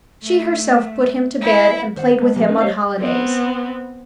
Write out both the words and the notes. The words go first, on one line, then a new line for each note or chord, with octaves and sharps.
She herself put him to bed and played with him on holidays.
A3
E4
D#2 C5 F#5
G#3 A3 B3
B2 F3 G3 G#3 A#3 C4
A3 C4 C#4 D#4 A#4 B4
G4 A4 C5 C#5 D#5 F5
B3 C4